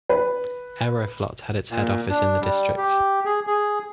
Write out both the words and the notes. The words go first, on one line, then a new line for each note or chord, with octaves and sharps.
Aeroflot has its head office in the district.
B4
A#2
D4
G3
G4
G#4
G#4